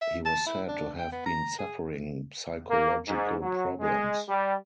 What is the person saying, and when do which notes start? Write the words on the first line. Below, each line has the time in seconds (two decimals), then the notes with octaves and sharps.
He was said to have been suffering psychological problems.
0.02 E5
0.26 A5
0.46 E4
0.68 D4
0.98 G5
1.12 B3
1.26 A#5
1.59 G#4
2.69 A#3
3.07 G#2
3.41 F#3
3.78 G#3
4.28 G3